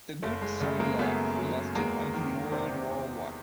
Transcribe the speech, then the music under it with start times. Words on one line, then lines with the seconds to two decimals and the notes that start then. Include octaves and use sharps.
The good summer life lasted until World War One.
0.22 F#1 A3
0.42 G#3
0.60 C#3 A3
0.80 G#3 A#3
0.99 F#2 A3 B3
1.37 F#3
1.75 E2 G#3 A#3
2.14 D#3
2.52 C3 C4 D4
2.90 E2